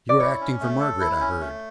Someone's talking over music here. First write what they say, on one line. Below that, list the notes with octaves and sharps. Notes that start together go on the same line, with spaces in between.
"You are acting for Margaret, I heard."
D5
E4 C#5
C#4
A3
A4
E4
C#4
A3